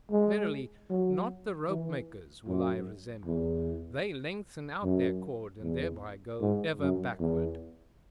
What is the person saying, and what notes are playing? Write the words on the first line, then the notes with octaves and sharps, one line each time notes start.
Verily, not the rope-makers will I resemble: they lengthen out their cord, and thereby go ever backward.
G#3
F#3
E3
F#2
E2
F#2
E2
G#2
F#2
E2